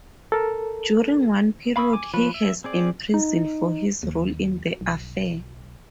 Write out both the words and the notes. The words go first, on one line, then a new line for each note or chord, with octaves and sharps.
During one period he has imprisoned for his role in the affair.
A4 A#4
F5 B5 C#6 D#6 E6
G#5 D6
F3 F4 B4 C#5
E5
C4 G#4 D5
D#4
D#2
B1